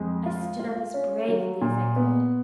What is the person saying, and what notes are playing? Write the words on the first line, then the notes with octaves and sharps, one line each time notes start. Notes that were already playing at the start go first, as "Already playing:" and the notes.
I stood up as bravely as I could.
Already playing: F2 G#3
F4
F4
C#4
F#3
A#2
B3